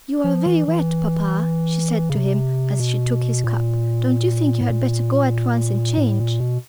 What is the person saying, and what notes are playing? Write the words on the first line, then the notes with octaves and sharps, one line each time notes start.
"You are very wet, papa," she said to him as she took his cup; "don't you think you had better go at once and change?"
F3
E3
E3
C#3
C3
B2
A#2
A2
A#2
A2
A#2
B2